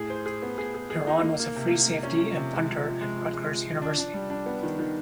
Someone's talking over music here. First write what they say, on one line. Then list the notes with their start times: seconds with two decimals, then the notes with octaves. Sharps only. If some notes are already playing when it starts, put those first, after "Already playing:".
Deron was a free safety and punter at Rutgers University.
Already playing: A2 G#4
0.10 C5
0.26 G#4
0.42 B3
0.58 G#4
0.74 G#4
0.90 G#4
1.07 D#4
1.23 A#3
1.39 A#3
1.56 C3
1.71 A#3
1.87 A#3
2.03 C#4
2.20 F3
2.36 C3
2.53 G#3
2.68 F3
2.85 F3
3.01 G#3
3.17 F3
3.33 G#3
3.49 F3
3.66 F3
3.82 D4
3.98 D4
4.14 G3
4.30 D4
4.46 B3
4.63 D#3
4.79 D#3